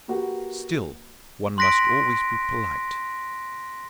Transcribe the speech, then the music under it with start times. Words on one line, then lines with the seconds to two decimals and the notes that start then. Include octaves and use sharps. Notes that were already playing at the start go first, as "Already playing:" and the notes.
Still one must always be polite.
0.08 A#3 F#4 G4 B4
1.58 C6 F#6 A#6 B6 D7